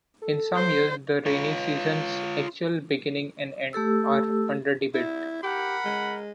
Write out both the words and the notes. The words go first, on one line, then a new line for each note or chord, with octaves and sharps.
In some years, the rainy season's actual beginning and end are under debate.
A4
C5
F4 C#5
A3 G4 A4 E6
E4
G4 A#4 F#5 B5
G#3